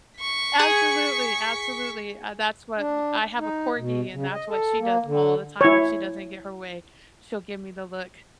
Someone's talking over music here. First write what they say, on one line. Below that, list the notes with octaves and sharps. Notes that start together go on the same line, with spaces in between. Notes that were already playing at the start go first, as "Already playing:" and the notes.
Absolutely, absolutely, uh, that's what I have a Corgi and that's what she does all the time, if she doesn't get her way, she'll give me the look.
C#6 B6
G#4
D4
D#4
B2
C#3
D#5
A4
A#3
D3
E4 C#5